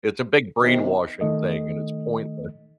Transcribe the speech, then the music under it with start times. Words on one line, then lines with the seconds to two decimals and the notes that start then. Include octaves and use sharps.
it's a big brainwashing thing, and it's pointless.
0.62 C3 D#3 B3
1.21 D#3 A3 D#5